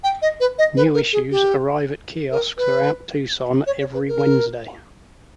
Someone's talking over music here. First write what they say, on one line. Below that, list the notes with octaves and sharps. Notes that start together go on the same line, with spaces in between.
New issues arrive at kiosks throughout Tucson every Wednesday.
G5
D#5
B4
D#5
B4
A#4
G#4
G4
A#4
B4
C#5
C#5
B4
A#4